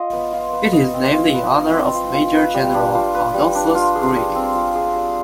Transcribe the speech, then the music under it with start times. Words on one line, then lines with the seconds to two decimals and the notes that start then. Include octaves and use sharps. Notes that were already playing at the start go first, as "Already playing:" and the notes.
It is named in honor of Major General Adolphus Greely.
Already playing: F4 D#5
0.13 B3
0.33 F4
0.53 B4
0.73 D#5
0.94 C4
1.14 F4
1.34 B4
1.54 D#5
1.74 C4
1.94 F4
2.14 F4
2.34 B4
2.54 G3
2.74 D4
2.95 F4
3.15 B4
3.34 G3
3.55 D4
3.75 F4
3.95 G#4
4.15 G3
4.35 C4
4.55 F4
4.75 G#4
4.96 G3